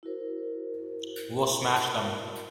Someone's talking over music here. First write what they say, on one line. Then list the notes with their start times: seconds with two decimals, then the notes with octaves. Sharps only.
We'll smash them.
0.03 E4 F#4 A#4 C5